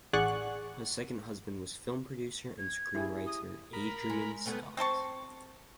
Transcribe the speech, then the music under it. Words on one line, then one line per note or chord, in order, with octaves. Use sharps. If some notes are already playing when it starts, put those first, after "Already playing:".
Her second husband was film producer and screenwriter Adrian Scott.
A1 G#4 D5 F#5 C#6 F#6
G#6
E4 G4 G#4
D#6
A#4 B5
G#3
G3 A3 B3
C4 C5 A5 C#6